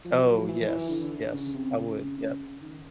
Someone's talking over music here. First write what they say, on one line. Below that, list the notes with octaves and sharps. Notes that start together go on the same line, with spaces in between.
Oh, yes, yes, I would, yep.
F3
F#3
F3
E3
E3
D3
D3
D3
C#3
C3
C#3
C#3
D#3